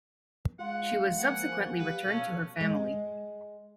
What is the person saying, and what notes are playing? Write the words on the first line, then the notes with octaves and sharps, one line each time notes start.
She was subsequently returned to her family.
G#3 F4 F#5
F3 A#3 F#5 G#5
G3 B4 F5
B2 C#4 A4 C#5 F5
G#3